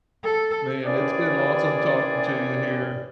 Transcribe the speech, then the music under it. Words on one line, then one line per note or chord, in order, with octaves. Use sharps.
Man, it's been awesome talking to you here,
A4
D#2 C3 E3 C#4 G#4 D5